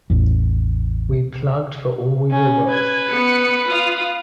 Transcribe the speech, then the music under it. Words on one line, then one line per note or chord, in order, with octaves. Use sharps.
We plugged for all we were worth.
A1 E2
C#4
B4 G#6
B3 C#7
F4 F5 D#6